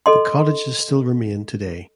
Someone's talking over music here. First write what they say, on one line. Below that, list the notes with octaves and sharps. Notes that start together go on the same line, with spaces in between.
The cottages still remain today.
A4 D#5 C6